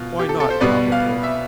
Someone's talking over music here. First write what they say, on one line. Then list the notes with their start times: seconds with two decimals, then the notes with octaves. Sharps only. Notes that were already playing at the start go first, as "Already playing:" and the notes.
"Why not probable?"
Already playing: B2 F4
0.19 G4
0.29 A4
0.40 A4
0.50 C5
0.60 B2 G3 B3 D5
0.92 F5
1.23 E5